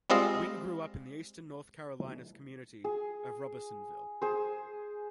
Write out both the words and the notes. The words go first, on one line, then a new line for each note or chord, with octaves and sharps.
Wynn grew up in the Eastern North Carolina community of Robersonville.
G3 G#3 C4 F4 D#5 F5
G#4
G#4 C5